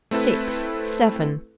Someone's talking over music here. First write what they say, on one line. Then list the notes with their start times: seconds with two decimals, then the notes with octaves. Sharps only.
Six! Seven!
0.11 A3 C4 E4 A4 B4